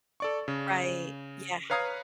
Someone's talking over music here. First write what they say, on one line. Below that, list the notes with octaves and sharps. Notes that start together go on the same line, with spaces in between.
Right, yeah.
A4 D5 C#6
C#3
B4 C#5 F5 A#5 D#6 G#6